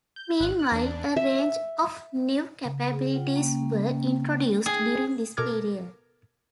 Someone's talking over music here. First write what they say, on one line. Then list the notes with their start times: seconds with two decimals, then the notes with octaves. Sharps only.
Meanwhile, a range of new capabilities were introduced during this period.
0.16 G6
0.40 G#1 F#6
0.59 F#6
0.72 E2 D4
1.16 E5
2.65 C#3
2.91 G#4
3.14 F4 F#5 G5
3.36 A#3 C#4 G5
4.66 G#4 G5
5.37 B2 A4 A#4 D6 F6 G#6